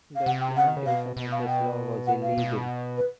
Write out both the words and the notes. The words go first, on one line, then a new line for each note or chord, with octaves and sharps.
The implementation of this law was illegal.
F5
C3 F#5
G5
C#3 F#5
D#3
C#3
B2 F5
B2
F5
G5
F#5
F5
B2
B4